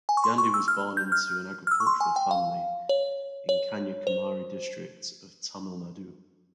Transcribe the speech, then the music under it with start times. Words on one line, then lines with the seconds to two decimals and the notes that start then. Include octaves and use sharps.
Gandhi was born into an agricultural family in Kanyakumari district of Tamil Nadu.
0.09 G#5
0.17 C#6
0.24 C6
0.38 C#6
0.54 E6
0.68 F6
0.97 G6
1.12 F6
1.67 F6
1.71 E6
1.80 C#6
1.87 C6
2.01 G#5
2.16 G5
2.31 F5
2.89 C#5
3.49 C#5
4.07 C5